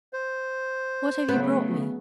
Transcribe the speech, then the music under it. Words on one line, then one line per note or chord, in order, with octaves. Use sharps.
What have you brought me?'
C5
C#3 F#3 A3 B3